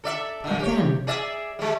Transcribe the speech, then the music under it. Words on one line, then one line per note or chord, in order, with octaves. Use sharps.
"What then?"
A4 D5 E5
A#2 D3
G4 C#5
G#4 D5 E5
G3 G#3